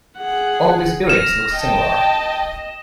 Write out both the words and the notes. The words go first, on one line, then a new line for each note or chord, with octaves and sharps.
All these bearings look similar.
G#4 F#5
F6 A#6 E7
D#5 G5 A5